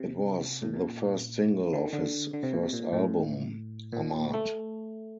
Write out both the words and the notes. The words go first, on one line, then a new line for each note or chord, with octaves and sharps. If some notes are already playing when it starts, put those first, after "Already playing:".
It was the first single off his first album, "Ahmad".
Already playing: C3
A2
A#2
D3
D#3
D3
D3
C3
A#2
C3
A#2
A2
A#2
A3